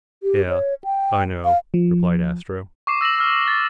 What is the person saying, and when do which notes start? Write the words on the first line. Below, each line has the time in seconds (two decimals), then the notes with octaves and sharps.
"Yeah, I know," replied Astro.
0.23 G4
0.49 C#5
0.84 G5
1.45 F5
1.74 F3
2.87 C#6 D6 C7 E7
3.01 E6 A#6 E7 F#7
3.19 E6 F6
3.48 A6